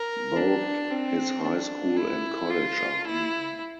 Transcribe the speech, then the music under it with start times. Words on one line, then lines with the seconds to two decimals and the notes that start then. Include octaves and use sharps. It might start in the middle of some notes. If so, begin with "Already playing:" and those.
Both his high school and college are unknown.
Already playing: A#4
0.36 D4
0.90 C4
1.44 D4
1.97 E4
2.51 F4
3.05 E4